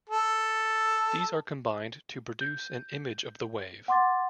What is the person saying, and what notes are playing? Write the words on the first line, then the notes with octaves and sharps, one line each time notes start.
These are combined to produce an image of the wave.
A4
G6
F#5 C6 D6 A6